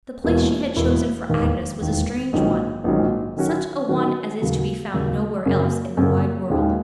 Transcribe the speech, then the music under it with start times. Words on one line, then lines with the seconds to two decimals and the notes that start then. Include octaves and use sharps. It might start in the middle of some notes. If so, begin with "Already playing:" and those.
The place she had chosen for Agnes was a strange one--such a one as is to be found nowhere else in the wide world.
0.24 E1 E2 B2 A#3 E4
0.76 E1 E2 B2 A#3 E4
1.29 E1 D#2 D#3
1.81 E1 D#2 D#3
2.33 A#1 G#2 D#3 F#3 C#4
2.84 A#1 G#2 D#3 F#3 C#4
3.37 D#3 F#3 C#4 F#4
3.89 D#3 F#3 C#4 F#4
4.42 D#2 C#3 F#3
4.94 D#2 C#3 F#3
5.46 F#2 C#3 F#3 A#3 C#4
5.97 F#2 C#3 F#3 A#3 C#4
6.50 D#2 D#3 G#3 C#4 F#4